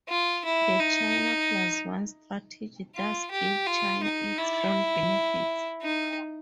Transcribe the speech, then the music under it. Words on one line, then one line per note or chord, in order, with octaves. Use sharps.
The China Plus One strategy does give China its own benefits.
F4
E4
D#4
F4
G4
F4
D#4
E4
D#4